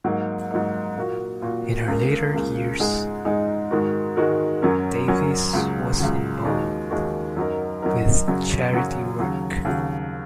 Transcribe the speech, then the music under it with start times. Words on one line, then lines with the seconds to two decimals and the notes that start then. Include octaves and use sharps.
In her later years, Davies was involved with charity work.
0.04 G#2 F#3 A#3 D#4
0.51 G#2 F#3 A#3 D#4
0.96 A#2 A#3 F#4
1.42 A#2 A#3 F#4
1.88 C#2 C#3 A#3
2.33 C#2 C#3 A#3
2.79 G#2 G#3 D#4 G#4
3.25 G#2 G#3 D#4 G#4
3.71 G#2 D#3 G#3 F#4 A#4
4.16 G#2 D#3 G#3 F#4 A#4
4.62 F#2 F#3 C#4 A#4
5.08 F#2 F#3 C#4 A#4
5.53 C#2 C#3 F#3
5.99 C#2 C#3 F#3
6.45 D#2 D#3 G#3 F#4
6.91 D#2 D#3 G#3 F#4
7.37 F#2 F#3 D#4 A#4
7.82 F#2 F#3 D#4 A#4
8.28 F#2 C#3 F#3 C#4 F#4
8.73 F#2 C#3 F#3 C#4 F#4
9.19 D#2 C#3 F#3
9.65 D#2 C#3 F#3